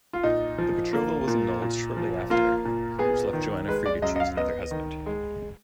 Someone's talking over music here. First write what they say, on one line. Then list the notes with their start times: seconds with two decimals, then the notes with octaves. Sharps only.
The betrothal was annulled shortly after, which left Joanna free to choose another husband.
0.13 F4
0.23 A#2 D#4
0.58 F3
0.93 A#3
1.28 A#2
1.62 A#2
1.97 F3
2.30 A#3 F4
2.65 A#2
2.99 B3 G#4
3.33 D#3
3.68 G#3 B4
3.86 D5
4.02 F#2 D#5
4.16 D#5
4.20 F5
4.37 B3 D#5
4.71 D#3
5.06 G#3